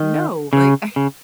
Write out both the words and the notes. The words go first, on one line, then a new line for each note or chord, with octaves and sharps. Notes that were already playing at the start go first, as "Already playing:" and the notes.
"No, like, I
Already playing: D#3
C#3
C#3